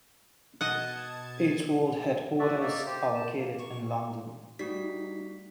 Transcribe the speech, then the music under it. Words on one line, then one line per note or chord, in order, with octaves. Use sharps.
Its world headquarters are located in London.
B2 D#5 F#5 A5 G#6
F#4 D5 E5
A#3 D#4 D5 E5
G4 C5
A5
A#3
C#6
G3 A3 D#4 F#4 B6